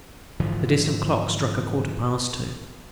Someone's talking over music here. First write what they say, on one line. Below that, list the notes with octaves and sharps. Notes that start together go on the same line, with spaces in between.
The distant clock struck a quarter-past two.
G#2 D3 E3 F3